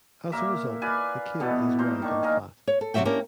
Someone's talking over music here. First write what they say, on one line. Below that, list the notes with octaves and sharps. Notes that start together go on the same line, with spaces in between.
As a result the cable is wide and flat.
A#2 A#3 A#4 E5
B4 D5 F5 G#5
B2 E3 B3 A4
A#2 A#4 C5
D#3 D4 C#6
A#4 D#5 F5 G#5
C#5
A4
C3 F#3 C#4 F#4 E5 G5
A#3 C#4 D4 E4 G4 A#4